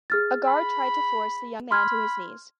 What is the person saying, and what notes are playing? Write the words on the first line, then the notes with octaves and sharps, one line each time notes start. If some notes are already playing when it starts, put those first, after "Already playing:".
A guard tried to force the young man to his knees.
G#4 F6 A6
B5
B5 C6 F6 G#6